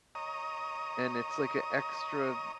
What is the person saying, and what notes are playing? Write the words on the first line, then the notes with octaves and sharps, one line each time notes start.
and it's like a extra-
C#5 D#5 A#5 D#6